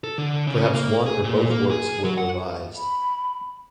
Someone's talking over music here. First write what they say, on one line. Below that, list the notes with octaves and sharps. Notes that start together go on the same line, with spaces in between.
Perhaps one or both works were revised.
A4
D3
C#3
A#3
G#4
A#2
A#3
G#4
F#3
F#5
B5